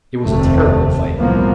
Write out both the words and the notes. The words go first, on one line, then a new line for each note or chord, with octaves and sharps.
It was a terrible fight.
F1 D#2 C3 A3
C2 A2 F3 A#3 B3